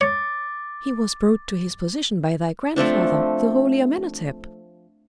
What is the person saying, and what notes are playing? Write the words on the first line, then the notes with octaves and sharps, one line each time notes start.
"He was brought to his position by thy grandfather, the holy Amenhotep."
C#5 D6 A6
F3 A3 C4 D4